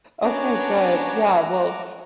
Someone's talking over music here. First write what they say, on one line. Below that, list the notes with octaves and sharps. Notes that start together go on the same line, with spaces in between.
Okay, good, yeah, well,
B3 C#4 D4 F#4 C#5 A#5 D6